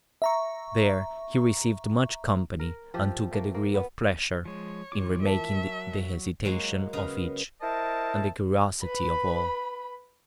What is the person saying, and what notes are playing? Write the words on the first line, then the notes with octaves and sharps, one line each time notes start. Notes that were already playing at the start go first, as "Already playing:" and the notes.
There he received much company, and took a degree of pleasure in remarking the hesitation of each, and the curiosity of all.
E5 A#5 C#6
A#4
F3 G4 E5
A3 A#3
A#3
B3
F3 G#3 C#5
E3 F4 D6
A#4 E5 A5
F#3
F#3 G#3 A#3 C#5
C#3 B3 A#4 D#5 A#5
E4 A#4 C5 D#5 A5
B4 B5